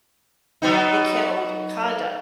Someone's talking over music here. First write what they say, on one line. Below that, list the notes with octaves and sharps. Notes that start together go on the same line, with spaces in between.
they came out with Wakanda,
F#3 B3 D#4